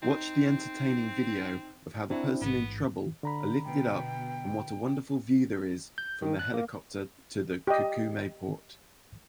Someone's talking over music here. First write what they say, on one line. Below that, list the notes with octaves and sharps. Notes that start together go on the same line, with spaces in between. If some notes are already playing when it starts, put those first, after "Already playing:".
Watch the entertaining video of how the person in trouble are lifted up and what a wonderful view there is from the helicopter to the Kakumäe port!
C4 D#4
F#3 C4 D4 E4
A1 G#2 B3
D3 A#5 B5
B2 G5
G6
D#3
F#6
A#3
G4 D#5